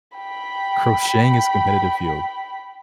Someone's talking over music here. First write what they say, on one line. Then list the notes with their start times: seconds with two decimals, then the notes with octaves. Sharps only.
Crocheting is competitive field.
0.17 G5 B5